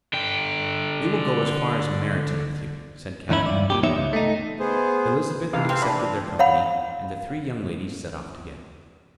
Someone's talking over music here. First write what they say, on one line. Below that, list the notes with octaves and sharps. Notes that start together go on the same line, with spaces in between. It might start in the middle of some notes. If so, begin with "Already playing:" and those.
"We will go as far as Meryton with you," said Catherine and Lydia. Elizabeth accepted their company, and the three young ladies set off together.
D3 G5
E2 G#2 D#3 C#4 E4
G2 D5
A#2 C#3 G4
E2 B3 D#4 C#5 E5
C#2
A3 D#4
B3 G#4 C5
C3 E3 F5
C4 F5
D4 B5
C#5 F5 F#5 B5